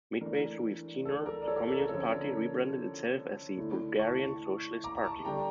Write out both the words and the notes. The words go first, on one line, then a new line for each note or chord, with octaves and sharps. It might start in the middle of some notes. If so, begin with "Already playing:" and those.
Midway through his tenure, the Communist Party rebranded itself as the Bulgarian Socialist Party.
E3 A3 D4 A#4
A4
A#4
D5
A4 C#5
A#4
A4
A#4
D3 F3 C#4 A4 C#5
A#4
D3 A3 E4
A5 C#6
A#5 D6
A5 C#6
D3 G3 D4 G5 A#5